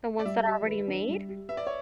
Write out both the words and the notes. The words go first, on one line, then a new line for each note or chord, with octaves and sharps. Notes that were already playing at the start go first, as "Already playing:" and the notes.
The ones that are already made,
D5
G3 E5
G4
B4
D4
G3
G4
B4 E5
D5
C#5